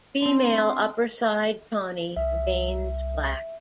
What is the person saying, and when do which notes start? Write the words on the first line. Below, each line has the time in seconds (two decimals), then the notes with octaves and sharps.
Female upperside tawny, veins black.
0.22 C4 D4 C6
2.17 C2 E5